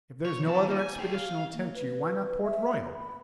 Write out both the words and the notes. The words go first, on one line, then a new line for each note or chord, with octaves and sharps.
If there's no other expedition'll tempt you, why not Port Royal?
C#5
F2 A5
D#2 D#5
G#5
G#4 G5
F5
A#3
B4
E5
B5